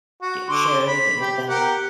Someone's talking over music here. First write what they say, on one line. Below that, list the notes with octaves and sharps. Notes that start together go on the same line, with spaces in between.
ge share anything with them-
F#4
D3 C6 D6
B5
G4
G4 A#4 F#5